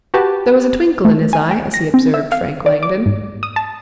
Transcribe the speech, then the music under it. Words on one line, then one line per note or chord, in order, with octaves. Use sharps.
There was a twinkle in his eye as he observed Frank Langdon.
F#4 G4 B4 A5
A3
G#5
G5
A#6
C4
E5
F5
D5
D6
G#2
D#6
A5